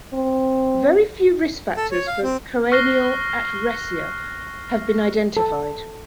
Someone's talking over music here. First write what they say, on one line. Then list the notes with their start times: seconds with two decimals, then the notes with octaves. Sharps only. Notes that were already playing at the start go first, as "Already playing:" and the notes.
Very few risk factors for choanal atresia have been identified.
0.14 C4
1.77 A4
1.91 C#5
2.07 F5
2.23 C4
2.72 C#6 F6 F#6 A#6 C7 G7
5.37 A4